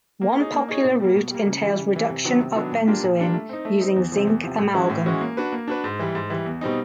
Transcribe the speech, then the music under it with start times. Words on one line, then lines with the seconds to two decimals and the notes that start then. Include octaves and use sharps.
One popular route entails reduction of benzoin using zinc amalgam.
0.21 A#3
0.38 D#4 G#4 C#5
0.53 A#3
0.69 D#4 G#4 C#5
0.84 B2
1.00 G3 A#3
1.15 B2
1.30 G3 A#3
1.46 C#3
1.62 E3 G3
1.78 C#3
1.94 E3 G3
2.09 C3
2.24 D#3 F#3 B3 D4
2.40 C3
2.56 D#3 F#3 B3 D4
2.71 A#2
2.87 G3 A#3 D4 F4
3.03 A#2
3.18 G3 A#3 D4 F4
3.34 A3
3.49 C4 D#4
3.65 A3
3.81 C4 D#4
3.96 E2
4.12 C3 F3
4.27 E2
4.43 C3 F3
4.58 A2
4.74 E3 G#3 C#4 F#4
4.90 A2
5.06 E3 G#3 C#4 F#4
5.21 A#3
5.37 D4 F#4 B4
5.52 A#3
5.68 D4 F#4 B4
5.84 G#2
5.99 E3 G3
6.15 G#2
6.30 E3 G3
6.46 E2
6.61 B2 G3 C4 D#4